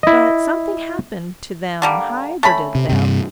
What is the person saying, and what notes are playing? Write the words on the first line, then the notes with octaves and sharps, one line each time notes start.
But something happened to them, hybrided them.
E4 D#5
D3 G3 A#3
A3 C#4 B5
C3
G2 C3